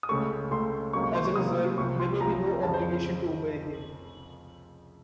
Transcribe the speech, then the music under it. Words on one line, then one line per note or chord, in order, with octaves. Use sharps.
As a result, there may be no obligation to obey them.
D#6
C#2 C#3 A3 C#6
C#2 C#3 A3 C6
C#2 C3 F#3 A#3 C#6
C#6
C6
C#6
C#2 C3 F#3 A#3 D#6
C2 C3 F3 C#6
C6
C2 C3 F3 A#5
F2 C#3 F3 A5
C5